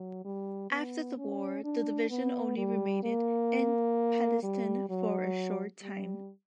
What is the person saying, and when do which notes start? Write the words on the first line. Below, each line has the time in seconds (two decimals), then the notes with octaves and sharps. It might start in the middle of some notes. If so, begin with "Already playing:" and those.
After the war the division only remained in Palestine for a short time.
Already playing: F#3
0.25 G3
0.71 B3
1.18 C#4
1.64 D4
2.10 B3
2.57 G3
3.03 A#3
4.43 G3
4.89 F#3
5.82 G3